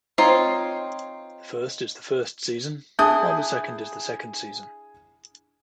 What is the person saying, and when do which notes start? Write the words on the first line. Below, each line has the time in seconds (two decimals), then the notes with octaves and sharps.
The first is the first season, while the second is the second season.
0.18 C4 D#4 F4 C#5
2.99 D4 E4 G#4 D#6 G6